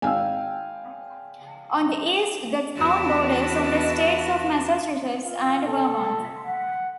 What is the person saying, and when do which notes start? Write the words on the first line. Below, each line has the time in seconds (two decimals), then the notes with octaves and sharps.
On the east the town borders on the states of Massachusetts and Vermont.
0.02 G#1 D#4 F5 G5 G#5 E6
2.75 E2 D4 E4 F#4 A#4 A5
5.24 F4
5.66 A4
6.46 F#5